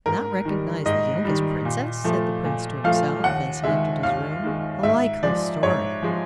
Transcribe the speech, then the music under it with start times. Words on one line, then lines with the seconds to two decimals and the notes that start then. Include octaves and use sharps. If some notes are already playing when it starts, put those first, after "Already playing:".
Not recognise the youngest princess!' said the Prince to himself, as he entered his room, 'a likely story!'
0.06 G#2 A#4
0.45 D#3 G3
0.86 G#2 D#5
1.25 D#3 G3
1.65 A#2
2.04 F3 A3
2.45 A#2
2.84 F3 A3 F5
3.24 D#2 F#5
3.63 D#3 G#3 E5
4.03 D#2 F5
4.43 D#3 G#3
4.83 G#2 E5
5.23 F3 G#3 D5
5.63 G#2 C#5
6.03 F3 G#3